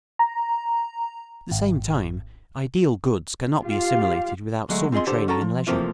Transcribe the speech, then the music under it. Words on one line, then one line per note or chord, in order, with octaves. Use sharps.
At the same time ideal goods cannot be assimilated without some training and leisure.
A#5
G#1
F4 G4 F5
D2 F#3 G#3 A3
C4 F4 G#4 D#5 C6
D3 G4 C5 A5
C#4 F#4 A4 A#5
F3
C3 E3 F3 A3 A#3 C4